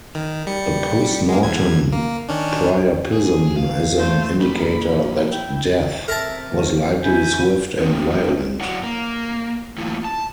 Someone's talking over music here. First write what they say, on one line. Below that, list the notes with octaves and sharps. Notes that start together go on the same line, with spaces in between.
A postmortem priapism is an indicator that death was likely swift and violent.
D#3
G3 C#7
G#3 A#3
E2 G#6
A#3
D#3 C#4 D4
G#4
F5
A3 C5
F3 A#3 B5
E4 G5
C3 A#4 E5 A5
E3
E4 F#4 G#5 G6
G#3 A#3 C4 A4 A#4
F#2 E4 F#4 C#5 D5 F#5
A#3
E3 A3 A#3 E4 F4
A5